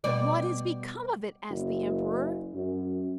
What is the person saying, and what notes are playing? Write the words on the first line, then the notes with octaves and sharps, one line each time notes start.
"But what is become of it?" asked the Emperor.
B2 G3 D5
F#1
F#2